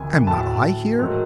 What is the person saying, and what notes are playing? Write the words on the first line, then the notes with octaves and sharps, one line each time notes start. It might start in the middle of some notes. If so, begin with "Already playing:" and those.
"Am not I here?"
Already playing: D2 C3 D#3 G#5
A2 F#3 A3 A5
G#2 D#3 F#3 A3